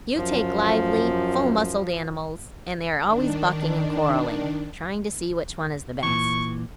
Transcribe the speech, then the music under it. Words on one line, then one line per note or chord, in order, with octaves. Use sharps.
You take lively, full-muscled animals, and they are always bucking and quarreling--trying to see which one is the best.
F#2 F3
D#3 D4
A#2 E3 C#6